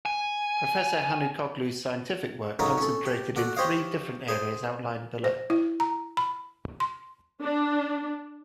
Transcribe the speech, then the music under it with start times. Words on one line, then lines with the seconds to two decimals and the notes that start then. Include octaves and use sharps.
Professor Hanukoglu's scientific work concentrated in three different areas outlined below.
0.06 G#5
2.59 C#3 F#3 C#4 D#4 A4 A#4
2.78 C#4 A4
3.05 G4
3.36 F#4 A4 D5 F#5
3.56 G4 C5 C#5 D#5 F5
4.28 G#4 C5
5.24 C5
5.50 E4
5.80 A#5
6.17 B5
6.80 C6
7.43 D4